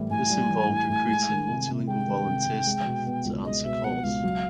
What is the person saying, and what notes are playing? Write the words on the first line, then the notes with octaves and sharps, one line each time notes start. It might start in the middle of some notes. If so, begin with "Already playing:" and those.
This involved recruiting multilingual volunteer staff to answer calls.
Already playing: A2 E3 G3
A2 G#5
G3
E3
A2
A2
G#3
D#3
C3
C3
G#3 G5
D#3
C3
C3
G#3
B2
B3
C#2
G#3 D#5
B2 E5
B3 F#5
C#2 F5
F#3